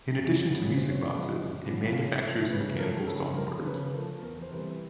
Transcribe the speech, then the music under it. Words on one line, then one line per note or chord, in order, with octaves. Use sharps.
In addition to music boxes, it manufactures mechanical songbirds.
F#2
C#3 F3 G#3 B3
F#2 C5
C#5
C#3 F3 G#3 B3 D5
D#5
F#2
C#3 F3 G#3 B3
C#3 F5
F3 A3 E5
C#3 B4
F3 A3 A#4
C#3 A4
F3 A3 A#4
C#3 B4
F3 A3 A#4
E2 A#4
C5
C3 E3 G3 B4